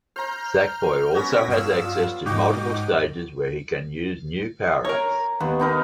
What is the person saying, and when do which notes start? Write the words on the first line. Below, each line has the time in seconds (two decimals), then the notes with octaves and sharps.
Sackboy also has access to multiple stages where he can use new powerups.
0.16 C5 A#5 F6 G6
1.14 B3 C#4 F#4 G#6 A#6 B6
1.48 G2 F5 E6
1.84 F4
2.26 G#2 D#4 F#4 G4 G5 D6
4.85 A#4 C#5 A#5
5.40 D#2 B3 B4
5.59 B3 D#4 A#4